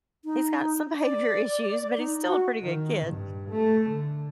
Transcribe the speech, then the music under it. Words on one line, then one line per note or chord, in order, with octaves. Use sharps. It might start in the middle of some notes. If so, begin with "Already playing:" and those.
he's got some behavior issues, but he's still a pretty good kid,
D#4
D5
D#4
F#4
D#3
G2
A3
D3